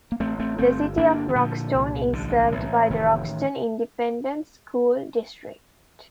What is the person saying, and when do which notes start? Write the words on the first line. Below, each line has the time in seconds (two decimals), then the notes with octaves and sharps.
The City of Roxton is served by the Roxton Independent School District.
0.12 A#3
0.20 A1 A3 C4
0.39 A3 C4
0.58 G1 A3 C4
0.97 G1 A#3 D4
1.29 D#3
1.35 A#2 D3 F3
1.75 C2
2.13 A1 D3
2.52 A1
2.90 F1 D#3